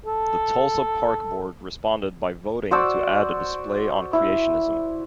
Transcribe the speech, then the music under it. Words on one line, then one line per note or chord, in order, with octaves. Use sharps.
The Tulsa Park Board responded by voting to add a display on Creationism.
A4
F#4 C5 D5 E6
E4